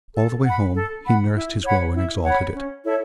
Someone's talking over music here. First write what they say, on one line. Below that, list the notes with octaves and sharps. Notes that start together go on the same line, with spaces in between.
All the way home he nursed his woe and exalted it.
A4
F#5 B5
A4
F#5 B5
E4
C#5 F#5 B5
E4
C#5 F#5 B5
C#4
E4 A4 C#5